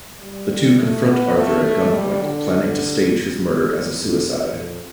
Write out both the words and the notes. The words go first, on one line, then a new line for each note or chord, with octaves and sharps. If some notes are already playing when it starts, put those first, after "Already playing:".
The two confront Arthur at gunpoint, planning to stage his murder as a suicide.
G3
A3
B3
A3
G3
D3
F2
E2
F2